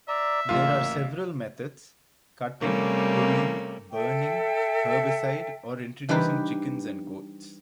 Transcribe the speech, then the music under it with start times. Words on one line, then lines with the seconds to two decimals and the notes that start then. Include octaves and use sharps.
There are several methods, cutting, pulling, burning, herbicide or introducing chickens and goats.
0.08 D5 E5 A#5 E6
0.49 A1 A#3 F4
2.60 C3 G3 A3 A#3 C#4
3.92 A4 E5 G5
6.09 E3 G3 D4 D#4 B4 C5